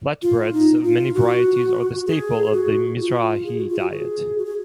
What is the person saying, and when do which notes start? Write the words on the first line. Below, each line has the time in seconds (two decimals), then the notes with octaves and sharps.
Flatbreads of many varieties are the staple of the Mizrahi diet.
0.22 F4
0.53 D#4
0.83 F4
1.14 F#4
2.07 G#4
2.53 F#4
3.00 F4
3.46 G#4
3.57 F#4
3.68 F4
3.79 F#4
3.92 G#4
4.38 F#4
4.45 G#4